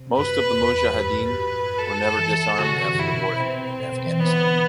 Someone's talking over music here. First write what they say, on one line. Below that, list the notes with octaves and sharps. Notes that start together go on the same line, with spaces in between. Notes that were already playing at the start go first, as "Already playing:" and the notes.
Most of the mujahideen were never disarmed after the war ended in Afghanistan.
Already playing: C3
G2
F#2 B4
E2
G2
F#2 B4
G2
A2
G2
F#2
F#2
F#2
A4
E3
D3 F#4
C3
D3
G2
A2 E4
B2
C3
B2 C4
A2
B2
E3
D3 B3